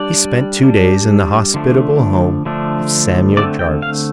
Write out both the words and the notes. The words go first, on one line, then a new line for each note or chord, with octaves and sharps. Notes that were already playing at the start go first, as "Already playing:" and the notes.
He spent two days in the hospitable home of Samuel Jarvis.
Already playing: G3 D4 D5
G3 D4
D3 F3 A3 D4
D3 F3 A3 D4
D3 A3 C4 D5
G5
F5